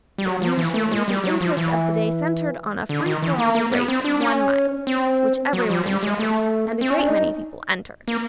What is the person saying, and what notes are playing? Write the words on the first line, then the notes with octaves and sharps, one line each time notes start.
But usually the interest of the day centered on a free-for-all race of one mile, which everyone enjoyed, and a great many people entered.
G3
F#3
F3
E3
A3
G#3
G3
F#3
F3
E3
D3
D#3
E3
A#3
A#3
B3
C4
D4
C#4
C4
F#3
F3
G3
G#3
A3
C4
C#4
D4
D#4
A#3